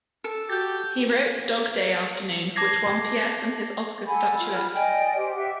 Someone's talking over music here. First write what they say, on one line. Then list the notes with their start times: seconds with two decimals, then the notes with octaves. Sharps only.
He wrote "Dog Day Afternoon", which won Pierson his Oscar statuette.
0.24 A4
0.50 F#4 G4 G6 A6
2.56 A5 D6 G#6 A#6 C7
4.07 A4 F#5 G#5 B5
4.38 F4
4.55 B5 F6
4.74 D5 D#5 G5 G#5
5.16 G4 C5
5.34 G4 E5 F#5